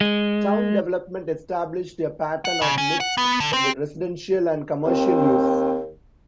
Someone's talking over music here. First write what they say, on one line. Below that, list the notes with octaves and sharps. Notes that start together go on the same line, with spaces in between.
Town development established a pattern of mixed residential and commercial use.
G#3
F#5
C#3
C#4
F#5
B3
D3
C4
D#2 C4